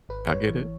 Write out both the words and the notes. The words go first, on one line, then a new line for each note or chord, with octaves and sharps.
I get it.
G#1 B4
G#1 C#5
E3